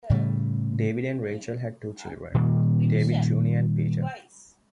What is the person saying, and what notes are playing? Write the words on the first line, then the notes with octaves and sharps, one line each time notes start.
David and Rachael had two children, David Junior and Peter.
A2 C#3 G3 A3
A#2 D#3 G3 A#3